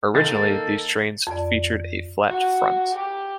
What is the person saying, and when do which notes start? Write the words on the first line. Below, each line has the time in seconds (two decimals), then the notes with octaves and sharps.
Originally, these trains featured a flat front.
0.15 D#3 A#3 A4 A6
1.27 F2 D5
2.28 F#4
2.95 G4